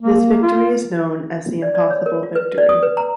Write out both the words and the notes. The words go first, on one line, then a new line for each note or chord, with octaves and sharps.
This victory is known as "The Impossible Victory".
A#3
F4
D5
D5
C#5
A#4
F4
B4
D5
D#6
B4
A#5